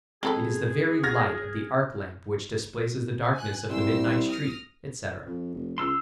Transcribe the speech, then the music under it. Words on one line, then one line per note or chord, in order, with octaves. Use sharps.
It is the very light of the arc-lamp which displaces the darkness of the midnight street, etc.
G#3 C4 G#4 A4 B4
F6 G#6 A#6
G#5 F#6
C2 G5 C6 E6
D#6 F6 A#6
F2
F1
C#2 C6 E6 F6